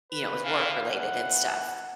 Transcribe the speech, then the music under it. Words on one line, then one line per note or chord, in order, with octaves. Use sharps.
you know, it was work-related and stuff.
B4
E3 F5
E3 F#5